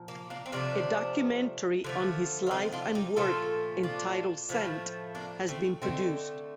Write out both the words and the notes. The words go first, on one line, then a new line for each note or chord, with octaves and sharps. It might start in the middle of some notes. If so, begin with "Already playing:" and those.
A documentary on his life and work entitled "Sent" has been produced.
Already playing: A#2 F3
A#3
A#3 D4
C4
C3 F3 A3 A#3 D4
D3 F3 A3
F4
C4 D#4
D4 F4
D#4 G4
A#2 F3 A3 F4 A4
D4 F4
A2 F3 A3
A#3 D4
A3 C4
D3 A3 C4 D#4